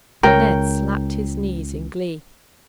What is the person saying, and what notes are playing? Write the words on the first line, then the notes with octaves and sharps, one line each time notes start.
Ned slapped his knees in glee.
C#2 A#4 C#5 G5